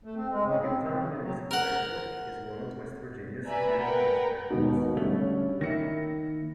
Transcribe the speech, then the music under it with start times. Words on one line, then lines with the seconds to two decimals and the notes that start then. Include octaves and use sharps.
Morgantown Municipal Airport is one of West Virginia's few commercial airports.
0.04 A3
0.16 C4
0.31 G#3
0.44 C#3
0.60 C4
0.80 D#3
0.95 C#3
1.08 C3
1.22 F#3
1.51 A#4 F#5
3.46 B4 D5 E5 G#5 A#5 B5
3.79 A#4 B4 F#5 G5
4.50 D#2 G#2 B2
4.97 D3 G3 A3 C#4 C#5
5.61 D#3 A#3 E4 A#6 C#7